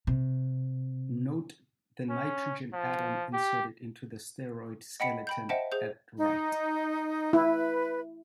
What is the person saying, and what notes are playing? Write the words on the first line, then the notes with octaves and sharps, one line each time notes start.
Note the nitrogen atom inserted into the steroid skeleton at right.
C3
C#4
F3
G4
D#5 F#5 G5 B5 B6 C#7
G5 B5 G6
C5 D#5 E5 F#5 G5 A5
G#4 C5 G6
D#4
E4 B4